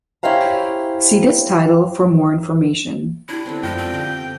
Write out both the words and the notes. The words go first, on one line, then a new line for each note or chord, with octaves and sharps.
See this title for more information.
C#4 E4 G4 C5 F5 A#5
D4 E4 G4
D3 B3 C4
F#2 F3 G#3 G5
C4 D5
D3 G4 D#5 F5